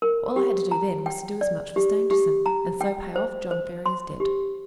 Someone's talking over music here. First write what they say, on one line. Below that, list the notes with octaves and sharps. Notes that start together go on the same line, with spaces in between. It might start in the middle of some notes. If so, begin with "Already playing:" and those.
All I had to do then was to do as much for Stangerson, and so pay off John Ferrier's debt.
A#4
G4
A#5
G5
D5
G4
G4
A#5
G5
C5
C5
C6
G4